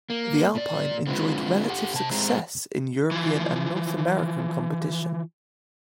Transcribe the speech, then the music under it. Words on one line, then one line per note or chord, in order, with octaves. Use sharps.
The Alpine enjoyed relative success in European and North American competition.
A#3
A#2 D5
D3 G#3 C4 D#4 F4 B4
G4 A4 F#5
C3 A5
A2 G#3 A3 C4 A#5
E3 F3